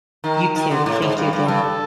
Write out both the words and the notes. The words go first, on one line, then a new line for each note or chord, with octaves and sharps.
you too. Thank you, again.
D#3 A#4
D#3
D3
A2
G#2
G2
G2
G2 A4